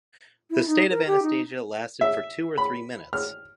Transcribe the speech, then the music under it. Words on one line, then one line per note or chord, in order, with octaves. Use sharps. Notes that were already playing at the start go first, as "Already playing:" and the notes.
The state of anesthesia lasted for two or three minutes.
E4
D#4
A#4
G4
D#4
E5
B5
F6